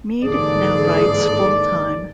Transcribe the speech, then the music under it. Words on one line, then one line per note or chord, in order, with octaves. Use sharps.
Meade now writes full-time.
D#2 G#2 D3 E3 G#4 A4 D5